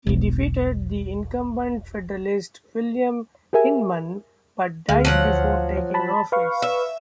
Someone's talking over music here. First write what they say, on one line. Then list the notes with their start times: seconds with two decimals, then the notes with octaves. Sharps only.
He defeated the incumbent Federalist, William Hindman but died before taking office.
0.07 E1 B1
3.53 G4 G#4 A#4 E5 G#5
4.89 D2 G#3 F5
5.05 F3 F#3 F#5
5.94 A5 B5
6.32 B4 F5 C#6
6.62 E5